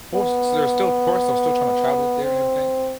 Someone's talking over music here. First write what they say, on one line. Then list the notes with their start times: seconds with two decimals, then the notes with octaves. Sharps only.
Oh s so there's still tourists are still trying to travel up there and everything?
0.14 B3
2.23 C4